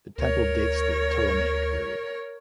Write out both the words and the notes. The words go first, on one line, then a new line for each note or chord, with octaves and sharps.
The temple dates to the Ptolemaic period.
D2 A#4 C#5